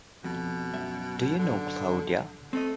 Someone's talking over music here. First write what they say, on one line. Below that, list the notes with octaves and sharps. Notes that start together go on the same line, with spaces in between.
Do You Know Claudia?
F2 B2
F#2 E5
D3
A3 C4 D#5